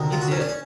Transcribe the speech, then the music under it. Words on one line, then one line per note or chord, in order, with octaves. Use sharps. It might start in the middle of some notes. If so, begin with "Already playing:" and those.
Me too.
Already playing: D2 C3 D#3
F4
F#4
C#4
D4
C#4